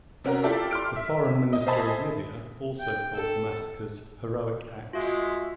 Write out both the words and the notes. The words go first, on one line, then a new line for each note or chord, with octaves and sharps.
The Foreign Minister of Libya also called the massacres "heroic acts".
C3 C#4 F#4 A#4
E4 F4 G4 A4 D5 E5
C6 D6 F6 D7
E5
D#5
C5 D#5 E5 G#5 A5 B5
G5
A4
G#3 F4 F#4 E5